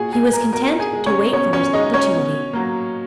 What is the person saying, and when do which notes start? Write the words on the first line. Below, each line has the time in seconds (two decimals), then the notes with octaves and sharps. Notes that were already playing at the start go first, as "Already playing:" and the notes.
He was content to wait for his opportunity.
Already playing: A#2 F#4 G#4 G#5
0.12 G#3 G#4 G#5
0.33 A#4 A#5
0.53 B2 A#4 A#5
0.80 G#4 G#5
0.93 G#3
1.06 C#4 C#5
1.33 B2 C#4 C#5
1.53 C#4 C#5
1.73 G#3 D#4 D#5
1.94 C#4 C#5
2.13 B2
2.53 F#3 A#3